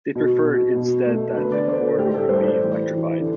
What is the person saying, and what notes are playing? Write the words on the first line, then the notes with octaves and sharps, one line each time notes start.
They preferred instead that the corridor be electrified.
B2
B2
B2
A3
D3 B4
D5
D3 C5
A4
A2 G4
A4
G3 C5
D5
E3
E3
D3